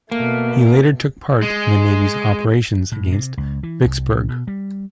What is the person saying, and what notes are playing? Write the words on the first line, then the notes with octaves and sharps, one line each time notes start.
He later took part in the Navy's operations against Vicksburg.
B2 A3 A#3
G#3
A2
C3
C#2
E3
C2
B2
G3